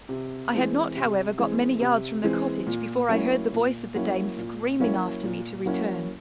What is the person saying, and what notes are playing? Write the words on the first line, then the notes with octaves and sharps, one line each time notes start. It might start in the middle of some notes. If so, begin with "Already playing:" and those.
I had not, however, got many yards from the cottage before I heard the voice of the dame screaming after me to return.
C3
E3 G#3 C4
C3
E3 G#3 C4
C3
E3 G#3 C4
A#2
F#3 A#3 C#4 E4
A#2
F#3 A#3 C#4 E4
A#2
F#3 A#3 C#4 E4
A#2
F#3 A#3 C#4 E4